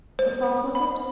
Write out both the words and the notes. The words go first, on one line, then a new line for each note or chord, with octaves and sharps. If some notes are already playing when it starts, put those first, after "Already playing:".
Whose fault was it?
C5
B5